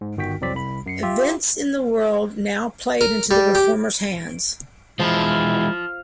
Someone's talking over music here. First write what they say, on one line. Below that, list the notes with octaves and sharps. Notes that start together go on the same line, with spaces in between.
Events in the world now played into the reformers' hands.
G#2
G1 D#3 F#4 G5 B6
C2 F2 F#3 C4 D5 B6
C2 B5
F#2 C7 C#7
F4 G4 E5
A#4
G3
G4
E3 F3 G#3 E4